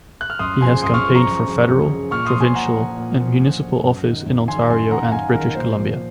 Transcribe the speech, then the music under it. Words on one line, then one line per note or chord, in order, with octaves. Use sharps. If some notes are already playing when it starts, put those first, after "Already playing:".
He has campaigned for federal, provincial and municipal office in Ontario and British Columbia.
F#6
F6
F#2 C6 D#6
C#3 F3 G#5 C6
F#2 C6 D#6
C#6 F6
C#3 F3
A#5 C#6
F#2
C#3 F3
F#2
C#3 F3
A#2 C#6 F6
C6 D#6
F3
G#5 C6
A#2 F#5 A#5
F3
A#2
F3
A#2
F3
F#2
D#3
F#2
D#3 G#5 C6
F#2 G#5 C6
D#3 F#5 A#5
F#2 F5 G#5
D#3 A#4
A#2 C5
F3